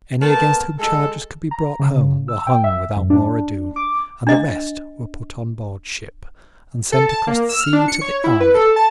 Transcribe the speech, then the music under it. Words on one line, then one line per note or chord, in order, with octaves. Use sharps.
Any against whom charges could be brought home were hung without more ado, and the rest were put on board ship and sent across the sea to the army.
A3 B3 A#4 A5
G#3 A4
A#5
C#3
E6
G5
E5
F#2
D4
D6
D4 D#5
A4
A5
A#3
E6
F6
D4
C#7
C#5
E4
B4
A4
A5